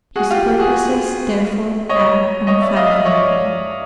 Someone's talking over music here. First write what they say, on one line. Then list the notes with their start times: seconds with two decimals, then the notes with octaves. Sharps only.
His purposes, therefore, are unfathomable.
0.16 F#4 G#4
0.30 F4 G4
0.59 F#4 G#4
1.89 C#5 D#5
2.47 C#5 D#5
2.62 D5 E5
2.76 D#5 F5
2.91 D5 E5
3.05 C#5 D#5